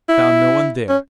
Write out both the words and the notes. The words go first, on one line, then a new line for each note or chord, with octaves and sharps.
I found no one there.
E4
C#4